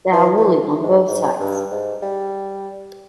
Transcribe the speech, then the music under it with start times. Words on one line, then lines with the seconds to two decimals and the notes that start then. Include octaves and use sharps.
They are wooly on both sides.
0.12 E3
0.37 E3
0.84 G#2
1.08 G#2
1.40 G2
1.71 G#2
2.02 G3